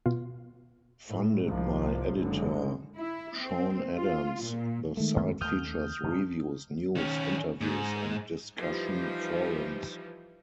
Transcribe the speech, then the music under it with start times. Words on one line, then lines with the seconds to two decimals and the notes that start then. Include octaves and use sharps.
Founded by editor Sean Adams, the site features reviews, news, interviews, and discussion forums.
0.06 B2 F4
1.08 A2
1.45 C2 G#2 C3 F3
2.17 F#1 F#2 D3 G#3
2.97 E4
3.39 C4
3.96 F4
4.44 A#2
4.97 D#3 G#3 A3
5.16 F#2
5.41 D#2 A3 D#6 F6 G6
6.03 G2 C#3 F#3
6.96 D#3 C#4
7.61 G#2
8.59 E3 F3 G3 D#4